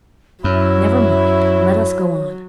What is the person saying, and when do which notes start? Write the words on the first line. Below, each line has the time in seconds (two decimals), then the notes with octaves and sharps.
"Never mind; let us go on."
0.44 F#2 F#3 E4 C#5